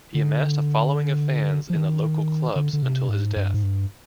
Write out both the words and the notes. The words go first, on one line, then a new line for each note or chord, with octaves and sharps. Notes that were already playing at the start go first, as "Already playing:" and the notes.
He amassed a following of fans in the local clubs until his death.
D3
F3
D#3
D3
D3
C3
G#2
G2
G#2
G2